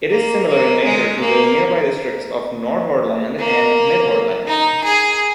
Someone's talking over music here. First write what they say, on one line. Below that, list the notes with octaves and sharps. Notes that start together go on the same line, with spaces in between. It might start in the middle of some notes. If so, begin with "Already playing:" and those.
It is similar in nature to the nearby districts of Nordhordland and Midhordland.
A#3
A#3
G#3
A#3
A#3
D#4
G#4